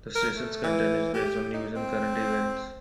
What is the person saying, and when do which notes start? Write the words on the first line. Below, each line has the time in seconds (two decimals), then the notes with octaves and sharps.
The station's content is based on news and current events.
0.15 A#4
0.36 A3
0.63 E3
1.14 G4
1.54 D#4
1.76 C4